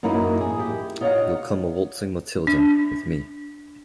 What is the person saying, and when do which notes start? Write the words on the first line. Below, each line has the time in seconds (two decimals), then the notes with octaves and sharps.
You'll come a-waltzing Matilda, with me.
0.03 F#2 E3 A#3 D#4 E4
0.41 G#4
0.58 E4 G4
1.01 D#4 F4 C#5 D5 F5 F#5
2.47 D4